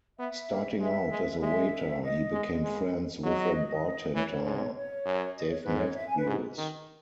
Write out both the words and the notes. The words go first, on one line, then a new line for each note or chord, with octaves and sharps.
Starting out as a waiter he became friends with a bartender, Dave Matthews.
B3 E5
A#3
G#3 E5
G#3
G#3 E5
D#5
G#3
G#3
F#3 D#5
E3 C#5
G#2
C#5
F#2
D#5
C#5
G#2 B4
C#5
E5
G#5
B4
G#2
D#3